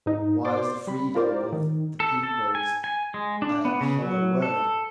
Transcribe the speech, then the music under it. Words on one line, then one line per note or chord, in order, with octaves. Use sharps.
Why is the freedom of the peoples a "hollow word"?
G#2 D#4
C5 D5 C6 D6
G3 B5
E4 F4 G4 A#4 C5 D5
D#3
A4
A4
G#5
G#5
G#3
D4
B3
C#3
F#3
A4